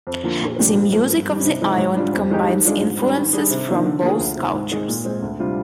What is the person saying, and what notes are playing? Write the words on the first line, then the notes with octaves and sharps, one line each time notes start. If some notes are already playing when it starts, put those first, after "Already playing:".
The music of the island combines influences from both cultures.
F2
D3 F3 A#3 F4
A#2
F3 A#3 D4 G4
G#2
F3 A#3
G2
D#3 G3
C3
F3 G#3 D#4
G#2
G3 D4 F4
F2
D#3 G#3 D#4 G4
D#3
G#3 D4 F4
G#2
G3 D4
D#3
G3 D4 G#4
C3
D#3 A#3 D4 F4
D3
F3 A#3 F4 G#4
D2
C3 D#3
G#2
D#3 G#3 C4
A#2
G#3 C4
D2
C3 G3 D4 F4